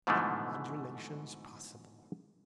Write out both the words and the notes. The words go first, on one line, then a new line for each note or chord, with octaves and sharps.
What modulations possible!
G#2 B2 D3 E3 F3 A3